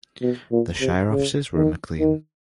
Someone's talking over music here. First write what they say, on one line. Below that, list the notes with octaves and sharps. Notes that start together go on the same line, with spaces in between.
The shire offices were in Maclean.
B2
A#2
C3
C#3
D#3
D#3